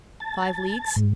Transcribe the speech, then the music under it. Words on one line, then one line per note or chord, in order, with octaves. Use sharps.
"Five leagues."
A5
G#2